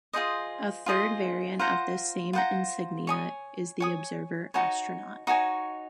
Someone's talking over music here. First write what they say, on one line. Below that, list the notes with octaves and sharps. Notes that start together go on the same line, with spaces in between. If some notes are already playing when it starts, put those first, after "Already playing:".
A third variant of this same insignia is the Observer Astronaut.
F4 G#4 C5 D#5
F4 G#4 C5 D#5
F4 C5 F#5 A#5
F4 C5 F#5 A#5
C#5 G#5 D#6
C#5 G#5 D#6
D#4 F#4 C#5 G#5
D#4 F#4 C#5 G#5